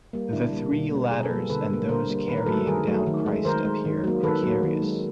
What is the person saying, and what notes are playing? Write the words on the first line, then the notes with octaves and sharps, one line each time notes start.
The three ladders and those carrying down Christ appear precarious.
G3 A#3
D3 D4 E4
G3 A#3
B2
G3 A#3
B2 G#4 A#4
A4 B4
G3 A#3
D3 A4 B4
G3 A#3
D3 A#4 C5
G3 A#3
D#3 B4
A#4
F#3 A3 A4 B4
D#3 G#4 A#4
F#3 A3
D#3
G#3
D#3 A#4 C5
G#3
D#3
F#3 A#3
D#3 A4 B4
F#3 A#3
D#3
G#3